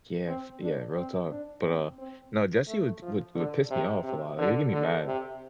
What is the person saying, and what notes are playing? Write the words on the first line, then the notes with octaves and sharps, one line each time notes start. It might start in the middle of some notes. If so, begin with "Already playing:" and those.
Yeah, f yeah. Real talk. But, uh, no, Jesse would would would piss me off a lot. Like, he'd get me mad.
C4
D4
C4
D4
C4
C4
A3
F3
D3
C3
C3
D3
D3
C3